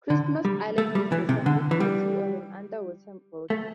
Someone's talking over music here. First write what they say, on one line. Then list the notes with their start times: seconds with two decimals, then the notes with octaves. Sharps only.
Christmas Island is the summit plateau of an underwater volcano.
0.10 D3
0.45 G3
0.78 A3
0.95 G3
1.12 E3
1.29 C3
1.46 D3
1.71 E3
1.80 G3
3.50 A3